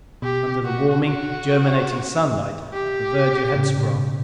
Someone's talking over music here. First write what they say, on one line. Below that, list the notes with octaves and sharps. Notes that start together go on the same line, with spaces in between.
Under the warming, germinating sunlight, the verdure had sprung.
B2 G4
F#4
F#4
G4
A2 C#3
A2
B2